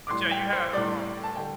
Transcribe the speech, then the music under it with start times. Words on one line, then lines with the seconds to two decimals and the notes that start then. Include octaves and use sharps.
but, yeah, you had, um
0.07 D6
0.11 A2 G3 C6
0.31 G5
0.53 C5
0.73 A2 G3 D5
1.23 A5
1.36 D3 G3 G5